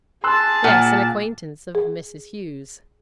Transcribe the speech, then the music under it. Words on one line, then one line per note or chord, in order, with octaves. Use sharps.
"Yes, an acquaintance of Mrs. Hughes."
G#4 A5 C6 E6 F#6
A#2 F#5
G#4